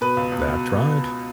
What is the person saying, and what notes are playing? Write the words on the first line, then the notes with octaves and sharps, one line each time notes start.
That's right.
B2 B4
C#2
C#2
B2